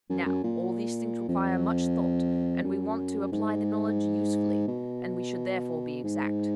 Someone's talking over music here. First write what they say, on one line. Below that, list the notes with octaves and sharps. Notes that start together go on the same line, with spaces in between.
Now, all these things require much thought, and we want to apply the knowledge usefully, and we should therefore be exact.
F#2
F#2
A#2
F2
F#2
G#2
B2
G#2